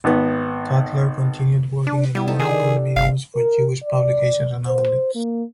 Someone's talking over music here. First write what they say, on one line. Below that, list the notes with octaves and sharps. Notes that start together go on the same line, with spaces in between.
Cutler continued working in multiple mediums for Jewish publications and outlets.
G#1 B3
D4 B4
G3 B3 E4
D#4 G4 A4
D#3 D4 G#4 A4
G1 F5
A#4
D5
C5
A#3